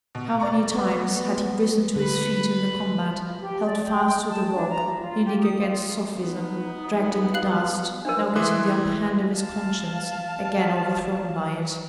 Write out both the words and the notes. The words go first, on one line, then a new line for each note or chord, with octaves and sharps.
How many times had he risen to his feet in the combat, held fast to the rock, leaning against sophism, dragged in the dust, now getting the upper hand of his conscience, again overthrown by it!
B2
D5 A#5 C#6
B3
D3 B4 B5
G4
D5
G5
A5
D4
A#5
F4
G4
D#6
F4
B3 D#4
F5 F#6 F#7
E3 D4 A#4 C5
E3 E5 C6 D6 D#6 F#6
F5 A5